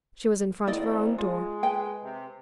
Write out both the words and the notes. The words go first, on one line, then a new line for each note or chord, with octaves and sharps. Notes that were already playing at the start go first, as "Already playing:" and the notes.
She was in front of her own door.
G#1 E4 D5 D#5
G#3 F4
B4 G5
C3